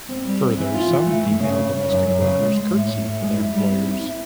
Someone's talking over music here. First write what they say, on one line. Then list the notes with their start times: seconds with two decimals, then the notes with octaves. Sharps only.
Further, some female domestic workers curtsey for their employers.
0.08 C4
0.25 G3
0.41 C4
0.57 E3
0.74 F4
0.90 E3
1.06 A3
1.23 A3
1.39 C#3
1.56 C#3
1.72 C#3
1.88 F#2
2.05 F#2
2.21 C#3
2.38 G#3
2.54 G#3
2.70 A2
2.87 A2
3.03 A2
3.20 G#3
3.36 E4
3.52 G3
3.68 C4
3.85 E4
4.01 E4